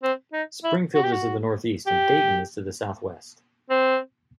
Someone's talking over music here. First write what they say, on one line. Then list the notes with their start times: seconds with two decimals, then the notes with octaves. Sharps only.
Springfield is to the northeast, and Dayton is to the southwest.
0.03 C4
0.33 D#4
0.64 E4
0.95 F#4
1.04 G4
1.12 F#4
1.87 G4
3.70 C4